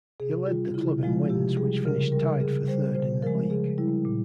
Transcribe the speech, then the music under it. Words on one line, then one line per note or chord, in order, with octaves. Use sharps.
He led the club in wins, which finished tied for third in the league.
C3 G#4
G3 F4
C#3 E4
F3 G#3 F4
C3 G4
G3 G#4
C#3 A#4
G3 A#4
C#3 G#4
G3 C5
C#3 C5
F3 G#3 A#4
C#3 G#4
G3 E4
A#2